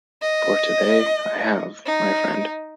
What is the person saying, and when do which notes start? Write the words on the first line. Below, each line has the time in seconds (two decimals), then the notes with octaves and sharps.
For today, I have, my friend.
0.22 D#5
1.85 D#4